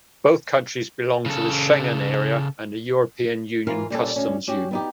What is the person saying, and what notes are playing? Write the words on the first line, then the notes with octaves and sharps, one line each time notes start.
Both countries belong to the Schengen Area and the European Union Customs Union.
C#3 A4
G#2 E3 F4 A#4 F5
A#2 G3 C#4 A4
D2 C#4
C#4 F#4 G4
B3 D#4 G4